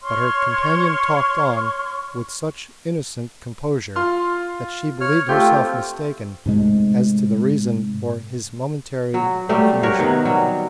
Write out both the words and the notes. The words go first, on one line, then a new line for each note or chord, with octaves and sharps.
But her companion talked on with such innocent composure that she believed herself mistaken as to the reason for his momentary confusion.
C#5 C6 C#6 F6
F4 C6 F6
C#5 F6
A3 C4 F4 G4 G6
G#2 C3 G#3 A3
F#3
F#3 G3 A3 G4
F#4 G4 A#4 C#5
C3 D#3 B3
F#3 G3 B3